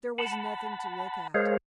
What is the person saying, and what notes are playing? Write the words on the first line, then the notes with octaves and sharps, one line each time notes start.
There was nothing to look at.
F#5 A5 B5
G#3 G#4 A#4 C5 C#5 F5